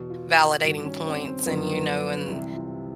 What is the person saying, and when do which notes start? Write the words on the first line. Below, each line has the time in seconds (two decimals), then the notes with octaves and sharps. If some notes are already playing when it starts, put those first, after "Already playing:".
validating points, and, you know, and
Already playing: E2 B2
0.10 F4
0.37 F#4
0.64 G2 F#4
0.68 D#3
0.85 C#4
1.05 C4
1.25 C4
1.46 F#2 D3 F3 B3
1.73 B3
2.27 C2 C3 E3 E4
2.55 F4